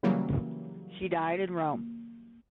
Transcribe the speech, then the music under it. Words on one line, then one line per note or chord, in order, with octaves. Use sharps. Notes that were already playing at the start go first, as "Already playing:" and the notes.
She died in Rome.
C#3 E3 F#3 G3 A#3